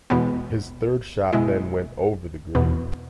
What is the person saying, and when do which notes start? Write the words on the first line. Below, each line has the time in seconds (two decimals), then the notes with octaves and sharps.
His third shot then went over the green.
0.10 E2 B2 G#3 B3
1.33 B2 G#3 E4
2.55 E2 B2 B3